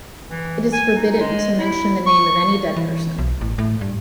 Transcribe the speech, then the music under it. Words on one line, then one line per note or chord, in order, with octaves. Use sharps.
It is forbidden to mention the name of any dead person.
E3
G#5
D#4
G#3
E4
C#6
E3
B1
A1
A2
G2